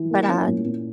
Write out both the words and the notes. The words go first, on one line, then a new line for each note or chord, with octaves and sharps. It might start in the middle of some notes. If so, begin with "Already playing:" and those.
but I
Already playing: E3
A#3
C#4
A#2
A#2